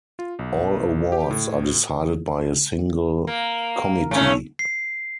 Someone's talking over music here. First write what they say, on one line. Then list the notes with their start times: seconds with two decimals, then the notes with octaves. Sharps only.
All awards are decided by a single committee.
0.19 F4
0.39 B1
1.12 G4
1.30 A2
3.27 A#3
4.11 G#2 A3 C#4
4.59 C7